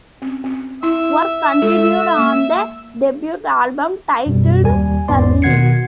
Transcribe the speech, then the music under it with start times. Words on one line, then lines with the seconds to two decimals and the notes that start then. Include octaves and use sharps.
Work continued on the debut album, titled "Surreal".
0.22 C4 C#4
0.44 C4
0.83 E4 E5
1.62 G#3 F4 A4
2.15 A#3 F5
4.26 F#2 B2 G3
4.63 D#2 G3 G#5
5.08 G#1 E2 G#2 B3 D5 C6
5.42 B2 D#3 F#5 G#6 C7 C#7